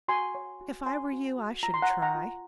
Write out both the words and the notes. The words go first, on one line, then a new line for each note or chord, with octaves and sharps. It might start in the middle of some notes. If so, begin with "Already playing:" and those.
If I were you, I should try.
F#4 G#5 C6
C#5
F#4
C#5 G#5 C6
F#4
F#4
F4 A#5
C6
F#5 A#5
C#5
F#5 A#5
F4